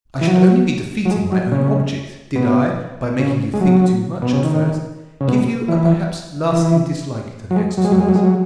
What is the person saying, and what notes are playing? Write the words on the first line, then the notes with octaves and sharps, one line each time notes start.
I should only be defeating my own object did I, by making you think too much at first, give you a perhaps, lasting dislike to the exercise.
E3
F#3
F#3
G#3
F#3
C#3
B2
C#3
G#3
F#3
B2
C#3
D#3
C#3
B2
E3
E3
F#3
G#3
F#3
G#3
F#3
G#3
F#3
G#3
F#3